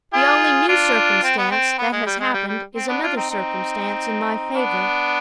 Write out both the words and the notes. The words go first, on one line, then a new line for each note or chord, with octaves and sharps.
The only new circumstance that has happened is another circumstance in my favor!
F4 G#4
D4 F4
C4
B3
C4
B3
G#3
G3
G#3
G3
G3
C4
B3 D4
D4 F4
C4 D#4
C4 D#4
B3 D4